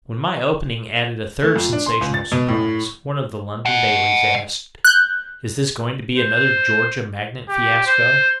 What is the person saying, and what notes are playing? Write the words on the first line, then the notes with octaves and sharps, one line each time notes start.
When my opening added a third sensational surprise, one of the London dailies asked, "Is this going to be another Georgia Magnet fiasco?"
A3
F2
D4
C6
C#2
A6
B2
A2
D#5 F#5
F#6 G6
C5
G4
C5